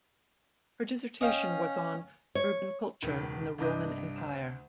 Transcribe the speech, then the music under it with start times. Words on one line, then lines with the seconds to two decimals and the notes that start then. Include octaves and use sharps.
Her dissertation was on "Urban Culture in the Roman Empire".
1.21 C#4 D#5 F5 G5
2.35 C#5
3.02 E1 C#2 D#3
3.58 C2 G2 D4 D#5 G6
4.18 D2